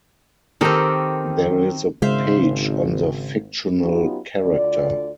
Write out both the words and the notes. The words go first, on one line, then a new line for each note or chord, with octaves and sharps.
There is a page on the fictional character.
D#3 C4 G4 A4 A#4
G#1 C#3 G#3 C5 E5 F5
F#3 B3 C#4 D#4 F4 G4
D2 D3 F4 D5